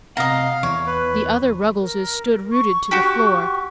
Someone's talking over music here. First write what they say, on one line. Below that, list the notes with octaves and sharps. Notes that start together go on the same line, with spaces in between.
The other Ruggleses stood rooted to the floor.
C3 D#5 F5 F#5 A#5
E2 C#5
B4
A#4
C#6
F#4 G4